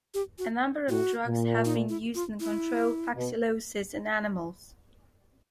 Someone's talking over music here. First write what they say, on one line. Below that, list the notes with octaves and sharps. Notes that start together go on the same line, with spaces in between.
A number of drugs have been used in control fasciolosis in animals.
G4
F#4
A2 F#4
A#2
D#4
E4
F4
E4
B2